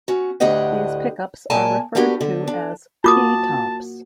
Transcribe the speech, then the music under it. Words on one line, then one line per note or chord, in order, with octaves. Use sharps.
These pickups are referred to as "T-tops".
C#4 F#4
D2 A2 D4 G4 D#5 F#5
A#2 G#3 A#3 D5 G#5 A5
B3 D4 F#4 G4 A#4
D3
D4
A#3 F4 F#4 A5 D6 D#6